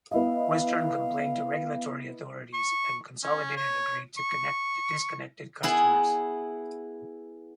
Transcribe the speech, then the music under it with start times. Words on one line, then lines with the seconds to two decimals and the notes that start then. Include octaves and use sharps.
Western complained to regulatory authorities, and Consolidated agreed to connect the disconnected customers.
0.11 B3 E4 D#5 F5
2.53 C#6
3.24 C#4
3.57 C#5
4.18 C#6
5.63 B3 E4 G#4